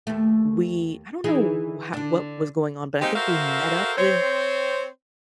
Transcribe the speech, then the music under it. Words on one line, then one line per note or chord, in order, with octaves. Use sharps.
we I don't know h what was going on, but I think we met up with
D#2 A3
E3 D#4 G#4
D3 D4
G#3 A#3 C4 D#4 G4
F#4 A4 A#4 C5 E5 F5
C4 C5 C#5